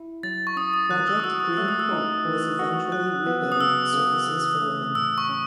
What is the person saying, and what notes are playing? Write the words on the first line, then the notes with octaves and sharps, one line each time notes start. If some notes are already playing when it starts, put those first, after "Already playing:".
Project Green Hope was eventually renamed Services for Women.
Already playing: E4
F#3 A6
C#6
C#4 D#6
D#6
D#3 F#6
E6
D#6
F#4 E6
D#6
A3 E6
D#6
E6
D#4
E3
F#4
F#3 F#6
B3
D#6
C#3 E6
C#3
E3
A3
A2 E6
C#6
C#4